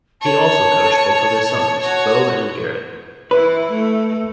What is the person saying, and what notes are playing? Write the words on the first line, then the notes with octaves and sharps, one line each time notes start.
He also coached both of his sons, Bo and Garrett.
C#5 A5
F#4 C#5
E3 E4 B4
A3